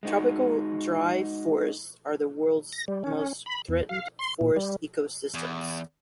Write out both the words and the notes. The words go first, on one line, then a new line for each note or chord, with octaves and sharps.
Tropical dry forests are the world's most threatened forest ecosystems.
G#3 D#4 F#4
A#6
G3
C#4
B5
E2
F5
C6
A#2
G3
E2